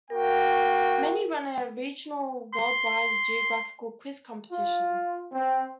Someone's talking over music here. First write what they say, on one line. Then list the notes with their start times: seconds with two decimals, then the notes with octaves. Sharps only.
Many run a regional Worldwise geographical quiz competition.
0.10 A#3 F#4 A#4 G5
2.53 C6
4.51 F4
5.33 C4